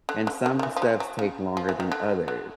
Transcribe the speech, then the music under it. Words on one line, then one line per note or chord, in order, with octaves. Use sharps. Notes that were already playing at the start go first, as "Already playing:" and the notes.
and some steps take longer than others,
D3
D3
D#3
D#3
E3
F3
E3
F#3
C#3
F3
E3
D#3
D3
D3